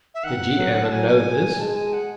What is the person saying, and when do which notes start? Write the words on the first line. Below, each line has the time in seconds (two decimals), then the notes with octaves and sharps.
Did ye ever know this?
0.14 E5
0.24 D#3 F#5
0.57 F#3
0.84 A5
0.91 F#3 G#5
1.59 G#3 A5
1.76 G#5
1.93 F#5